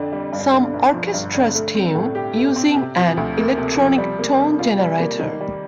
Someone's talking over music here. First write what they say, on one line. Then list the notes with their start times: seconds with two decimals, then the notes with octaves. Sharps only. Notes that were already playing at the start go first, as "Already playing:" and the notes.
Some orchestras tune using an electronic tone generator.
Already playing: F2 D3 D4
0.13 G3
0.33 G2
0.53 D3
0.74 G1
0.93 F3
1.14 G2
1.34 D3
1.54 A3
1.75 C4
1.95 A2
2.15 G4
2.36 A3
2.56 C4
2.76 C3
2.97 F3
3.17 D2
3.37 A#3
3.58 C3
3.78 F3
3.98 G3
4.19 A#3
4.39 C3
4.59 F4
4.79 G3
5.00 A#3
5.19 D#3
5.40 G3